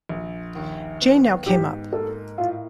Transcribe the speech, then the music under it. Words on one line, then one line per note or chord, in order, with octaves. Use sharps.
Jane now came up.
A#1
D#2
B3
G#2 G4
A#3 A4
A2 F4